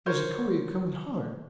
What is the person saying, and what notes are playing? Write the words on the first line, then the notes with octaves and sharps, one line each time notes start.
There's a courier coming--hard!
A#4 C5 C#5